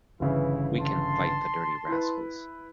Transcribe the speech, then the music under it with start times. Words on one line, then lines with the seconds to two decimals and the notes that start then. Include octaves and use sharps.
We can fight the dirty rascals.
0.20 G1 C#3 E3 E4
0.80 A5 C6
1.88 E4 B4